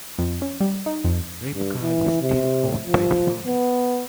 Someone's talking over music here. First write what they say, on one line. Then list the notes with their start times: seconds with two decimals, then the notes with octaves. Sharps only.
Rip Curl is still owned by the founders.
0.19 F2
0.42 C#4
0.60 G3
0.86 D#4
1.04 F2
1.54 G2
1.82 E3
2.21 C3
2.86 F3
3.47 B3